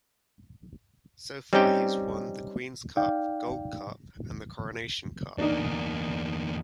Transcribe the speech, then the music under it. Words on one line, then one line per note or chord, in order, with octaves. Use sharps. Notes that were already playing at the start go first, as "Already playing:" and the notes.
So far, he has won the Queen's Cup, Gold Cup and the Coronation Cup.
G3 C4 C#4 D#4 G4 G5
D#4 D5 F5 G5
E2 A#3 D4 D#4